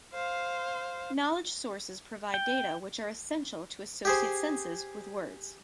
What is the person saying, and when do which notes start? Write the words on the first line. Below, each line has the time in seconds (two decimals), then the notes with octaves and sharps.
Knowledge sources provide data which are essential to associate senses with words.
0.14 C5 F5
2.34 G5
4.05 G4 G#4 C5